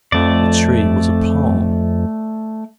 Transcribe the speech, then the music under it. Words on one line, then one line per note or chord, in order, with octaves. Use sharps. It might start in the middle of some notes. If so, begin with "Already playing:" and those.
The tree was a palm.
F2 A3 D5